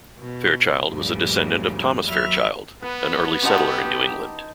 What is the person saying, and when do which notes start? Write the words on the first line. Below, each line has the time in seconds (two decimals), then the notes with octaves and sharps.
Fairchild was a descendant of Thomas Fairchild, an early settler in New England.
0.18 B2
0.87 D2 G2 A#2 C#3 F3 G3
2.06 D#2 F#3 E5 B5 F6
2.82 B3 B4
3.42 C#4 D#4 F#4 G4 F#5 A5 C6